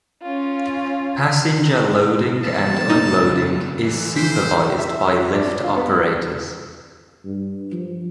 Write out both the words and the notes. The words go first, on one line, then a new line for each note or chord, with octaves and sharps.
Passenger loading and unloading is supervised by lift operators.
C#4 F4
E2 A#2 A5
G2 C#3 D#4
D3 E3
C5 B6
E5
C#5
D4
F4
B3
G2
F3